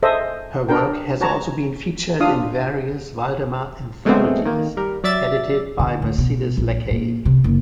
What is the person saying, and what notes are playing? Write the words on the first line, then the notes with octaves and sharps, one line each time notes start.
Her work has also been featured in various Valdemar anthologies, edited by Mercedes Lackey.
G#4 A4 C5 D#5 E5
D4 A#4 G5
F#4 C#5 A5 A#5
D4 F4 F5 D#6
F#3 G#3 A3 B3 C4
D#3 A#3
G3 A#4
F#3 D5 E5 A6
D3
D2
B2
A#1
A#2
C3
F#1